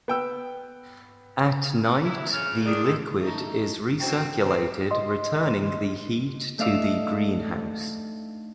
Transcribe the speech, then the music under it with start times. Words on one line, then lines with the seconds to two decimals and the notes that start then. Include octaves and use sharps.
At night the liquid is recirculated returning the heat to the greenhouse.
0.08 B3 G5 E6
2.04 F#3 E4
2.33 C#3 F6
2.65 D#3 D4 G#4
2.83 G#2 D#3 A4
3.20 A3 D#4
4.00 D3 C4 F#4 G5
4.42 C4 B4
4.91 D#5 C6
6.58 A3 D4 D#4 F5 D6 E6